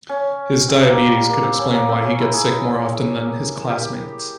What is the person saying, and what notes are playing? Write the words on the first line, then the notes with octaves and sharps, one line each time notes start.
His diabetes could explain why he gets sick more often then his classmates.
C#4
C4
A#3
G3
A#3
C4
C#4
A#3
C4
C#4
E4
G#4
G4